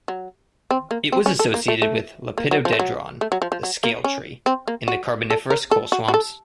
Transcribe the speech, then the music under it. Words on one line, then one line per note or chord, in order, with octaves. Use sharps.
It was associated with "Lepidodendron", the scale tree, in the Carboniferous coal swamps.
F#3
C4
A#3
C4
C#4
A4
A#3
A3
A3
A#3
F#3
F3
A3
F#3
A3
F#3
F3
F3
F#3
A#3
C#4
C4
A#3
F#4
A4
A#4
A4
F#4
F#4
A4